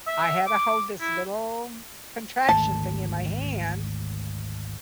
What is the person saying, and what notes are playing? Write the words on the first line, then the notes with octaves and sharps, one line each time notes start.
I had to hold this little contraction thing in my hand
E5
D6
E4
G#1 D2 A3 A5